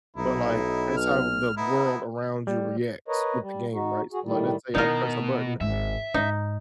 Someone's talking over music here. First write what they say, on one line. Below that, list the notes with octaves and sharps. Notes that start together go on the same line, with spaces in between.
but, like, that's how the world around you reacts with the game, right? So, like, let's say I press a button
B1 D#4 E4
F6
B3 D#4 E4
G3
A#4 B4 C#5 D#5
G3
D#4 F#4
F#4 G#4
A2 D#3 G3
B2 D#3 D#4 E4 A#4
G#1 G#2 E5
G#2 D#4